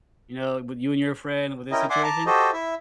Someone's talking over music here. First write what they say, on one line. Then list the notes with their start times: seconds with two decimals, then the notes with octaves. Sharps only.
You know, with you and your friend, with this situation,
1.72 C#4 E4 A#4 D#5 G5
1.90 D5 E5 F#5 G#5 C6 D6
2.03 A5 A#5 D6
2.26 F#4 G4 A4 C5 D#5
2.53 E4 E5